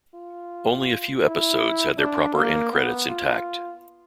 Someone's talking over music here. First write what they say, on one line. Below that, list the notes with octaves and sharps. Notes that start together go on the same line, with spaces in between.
Only a few episodes had their proper end credits intact.
F4
E4
D4
A#3
B3
F4